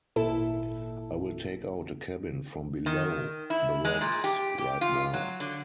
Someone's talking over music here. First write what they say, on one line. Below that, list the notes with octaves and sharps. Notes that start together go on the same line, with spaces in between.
I will take out a cabin from below the rocks right now.
G#1 A#2 E4 A4
D#3
E4
G#3
A#2
G4
G4
F4
F#3
D3